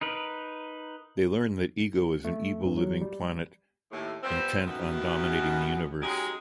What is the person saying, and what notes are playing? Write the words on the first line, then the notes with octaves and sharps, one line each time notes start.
They learn that Ego is an evil living planet intent on dominating the universe.
D#4 A#4 B4
A3
G2
F#3
G3
D#2 A2
F3 G3 B3 C4
F#2 B2 D#3 A3 B3
F#3 G#3 C#4 D#4 G4 G#4